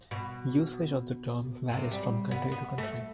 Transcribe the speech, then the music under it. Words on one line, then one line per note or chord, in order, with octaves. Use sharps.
Usage of the term varies from country to country.
B2
C3
G3
B3
B3
A3